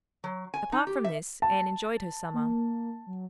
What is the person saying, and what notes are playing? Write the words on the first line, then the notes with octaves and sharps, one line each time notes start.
Apart from this, Anne enjoyed her summer.
F#3
G#5
D#4
G4
E5
A5
A#3
F#3